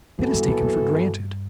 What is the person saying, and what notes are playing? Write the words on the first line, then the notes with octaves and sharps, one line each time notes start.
It is taken for granted.
F#2 E3 B3 F#4 A4
G2
F#2
F#2
G2